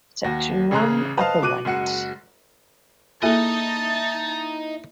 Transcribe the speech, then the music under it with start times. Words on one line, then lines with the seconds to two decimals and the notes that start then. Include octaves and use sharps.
Section One - Upper Right.
0.24 D#2 F#4 A#6
0.71 A1 C#3 G#4 A#5 F#6
1.17 B4 C5 D#5 F5 A5
1.42 B2 D6 F#6 D#7
1.65 F#1 G#3 F#4 C#7
3.23 A#3 D#4 E4 G#4 A4 D#5 A5